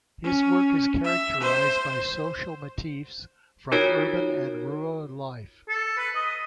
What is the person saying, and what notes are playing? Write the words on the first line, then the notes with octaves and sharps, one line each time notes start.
His work is characterized by social motifs from urban and rural life.
C#4
E5
C5
D#4 F4 F#4 A#4 C#5
A4
B4
D#5